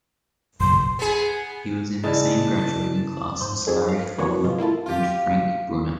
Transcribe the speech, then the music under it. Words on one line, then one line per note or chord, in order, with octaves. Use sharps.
He was in the same graduating class as Larry Hama and Frank Brunner.
F#1 B1 C6
B3 G#4
C#3 E3 D5 D#5 A5
G#2 C5
C4 D#4 G#4 A4
F5
E3 G3 A#3 B3 F#4 C#5
C3 G#3 F4
A#3 E4 F4 A4
F4 G4